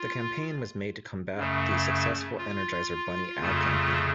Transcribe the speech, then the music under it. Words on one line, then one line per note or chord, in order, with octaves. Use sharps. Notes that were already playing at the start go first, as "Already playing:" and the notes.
The campaign was made to combat the successful Energizer Bunny ad campaign.
Already playing: F4
F#2 C#3 A3
F4
F2 C#3 A3